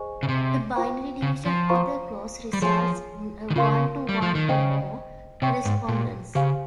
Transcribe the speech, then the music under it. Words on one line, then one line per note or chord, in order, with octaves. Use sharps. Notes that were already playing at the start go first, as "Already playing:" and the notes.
The binary division of the clause results in a one-to-one-or-more correspondence.
Already playing: G#4 C5 D#5 G#5 C#6
C#3
C3
F4 C5 G5 C#6
C#3
F3
F4 C5 F5 A#5 C#6
G3
F3 G#4 C#5 G#5 C6
D#3
C#3 F4 A#4 F5 C6
G3
F3
D#3
C#3 C5 D#5 G5
C3 C#5 G5 C#6
G#2
A#2
C#3 G4 C5 F5 G#5